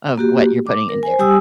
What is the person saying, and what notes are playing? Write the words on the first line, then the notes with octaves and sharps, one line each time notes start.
of what you're putting in there.
A#3 F#4 G4
D6
A#4
C5 G#5
G3 G4 G#5 D#6 E6